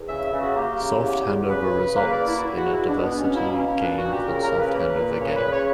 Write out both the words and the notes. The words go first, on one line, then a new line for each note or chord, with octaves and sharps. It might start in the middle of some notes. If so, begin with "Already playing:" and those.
Soft handover results in a diversity gain called soft handover gain.
Already playing: E2
C#3 E5
E5
C#3
F#4
A#3 G4
C#3
E2
E2
C#3 B4
C#3
A#3 B4
D5
E2
E4
F#4
E2 E4
F#4
E2
E4
B2 D4
B3
B2
C#4
A#3 E4
C#4
B2
C#4
A#2 D4
F#4
A#2
G4
C#3 A#4
A#4
C#3
B4
A#3
A#2
C#3 C#5
B4
C#3
C#5